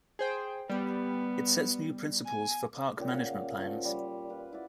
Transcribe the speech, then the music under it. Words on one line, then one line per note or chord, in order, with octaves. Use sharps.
It sets new principles for park management plans.
G#4 C5 G5
G3 B3
G#5
A#2 C#3 G4
F5 F#5
F3 F#3 C#6
G3
F4 B4
E4 F#4 D5